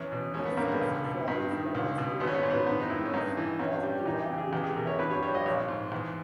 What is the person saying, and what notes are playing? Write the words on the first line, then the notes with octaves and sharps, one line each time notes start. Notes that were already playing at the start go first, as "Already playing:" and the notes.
These test flights demonstrated the readiness of the airport to handle traffic.
Already playing: E2 C#4
B2
G#1 C#4
B3
G2 A#3
B3
C#2
B2
G2
D#3
C#2
B2
G#1 B3
C#4
B3
G#2 C#4
B3
G2 B3
D#4
D#3 E4
C#4
G2 D#4
E3
G2 C#4
G3
E2 D#4
G4
C#3
G#4
E2 G4
G#4
B2 A#4
C#5
G2 B4
C#5
G3 C#5
D#5
A#1 C#5
G#2
E2